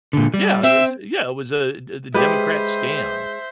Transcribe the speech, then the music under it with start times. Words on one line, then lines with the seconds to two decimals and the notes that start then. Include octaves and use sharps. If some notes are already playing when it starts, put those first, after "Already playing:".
Yeah it was yeah it was, uh, the the Democrat scam.
0.13 A#2 D3
0.34 G3
0.63 C4 E5
2.14 G#3 G4 B4 C5 E5